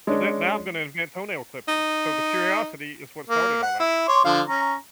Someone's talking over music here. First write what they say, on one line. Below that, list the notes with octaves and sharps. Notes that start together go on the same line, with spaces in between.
So that now I'm gonna invent toenail clippers. So, the curiosity is what started all that.
G#3 C#4 D4
D#4
A#3
F#5
E4
C#5 C6 D6
D3 F3 F5
C#4 A#5